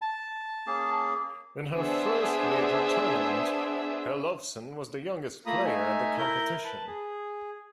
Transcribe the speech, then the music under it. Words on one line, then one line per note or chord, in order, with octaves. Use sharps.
In her first major tournament, Herlovsen was the youngest player at the competition.
A5
A#3 C#4 G#4
B3 D4 G#4 C5 E5
A3 A#3 F4 A#5 B5 D#6
A3 D#4 E5 G#5
E4 A#4 G6
B4 A5
G#4